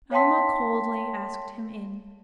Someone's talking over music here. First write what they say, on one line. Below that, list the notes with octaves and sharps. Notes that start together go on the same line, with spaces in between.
Alma coldly asked him in.
C#5 F5 G5 A5 C6 B6